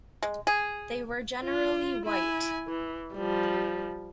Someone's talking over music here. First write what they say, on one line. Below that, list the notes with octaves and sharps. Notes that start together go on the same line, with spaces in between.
They were generally white.
G#3
G#4
F4
E4 G#5
E3
F3 G3